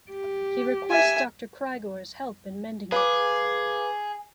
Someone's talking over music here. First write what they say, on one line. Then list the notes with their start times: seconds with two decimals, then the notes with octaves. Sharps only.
He requests Doctor Crygor's help in mending it.
0.11 G4
0.90 E5 G#5
2.92 G#4 B4 F5 D6